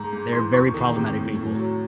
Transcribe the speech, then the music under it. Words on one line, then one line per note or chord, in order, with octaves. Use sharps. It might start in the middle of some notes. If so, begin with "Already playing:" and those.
They're very problematic people.
Already playing: G#2 A#5
G#2
E3 C6
E2 C#6
D#3
C3
A2
A2
F#3